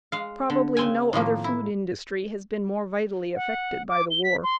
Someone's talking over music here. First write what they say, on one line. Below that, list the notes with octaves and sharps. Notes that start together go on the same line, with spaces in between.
Probably no other food industry has been more vitally affected by the war.
G#3 F5
D3
C#3 C4 G#5
A2 D#3 F3 A#3
E4
F#5
D6
G7
B6
C6